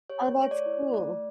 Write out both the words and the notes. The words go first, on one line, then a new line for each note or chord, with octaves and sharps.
Oh, that's cool.
G4 C#5
A3 C#5
D5
E4
A3 D5